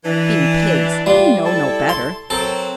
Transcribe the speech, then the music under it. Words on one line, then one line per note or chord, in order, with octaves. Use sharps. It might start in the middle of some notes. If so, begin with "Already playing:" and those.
Being pigs they know no better.
E3 D4
G3 F4
E4 A4 A5
C6
F#3 C4 A4 A#4